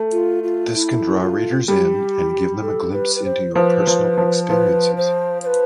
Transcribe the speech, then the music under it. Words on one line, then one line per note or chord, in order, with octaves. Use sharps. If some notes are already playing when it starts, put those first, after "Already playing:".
This can draw readers in and give them a glimpse into your personal experiences.
Already playing: A3
F4
F4
E4
F4
G3 G4 A4
A4
B4
B4
C5
F3 B4
F3
F3
F3 B4
C5
C5
B4